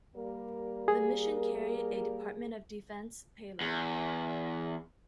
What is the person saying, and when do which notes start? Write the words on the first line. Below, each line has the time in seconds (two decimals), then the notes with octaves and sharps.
The mission carried a Department of Defense payload.
0.16 G3 A#3 A#4
0.88 G#4
3.61 E2